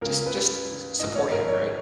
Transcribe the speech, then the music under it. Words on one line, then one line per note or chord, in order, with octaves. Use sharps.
Just just just support him, right?
C#2 C#3 A#4
B4
A#1 G#2 D#3 D#5
C#5
A#4
C#5